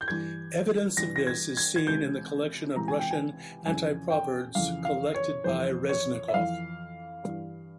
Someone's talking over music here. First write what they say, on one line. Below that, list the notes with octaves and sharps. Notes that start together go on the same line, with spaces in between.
Evidence of this is seen in the collection of Russian anti-proverbs collected by Reznikov.
G6
G2 E3 G#6
G2 E3 A#6
A#6
G#6
G#6
G#6
C#2 C3 E3 G6
C#2 C3 E3 A#5
G#5
G5
G#5
F2 C#3 E3 G#5
G5
F2 C#3 E3 F5
F5
C#5
F2 E3 C5
C#5
E5
F2 E3 F5
G2 E3